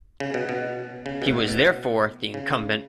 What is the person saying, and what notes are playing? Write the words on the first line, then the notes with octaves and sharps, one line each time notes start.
He was therefore the incumbent.
C#3
B2
B2
C#3
B2
A2
B2
C#3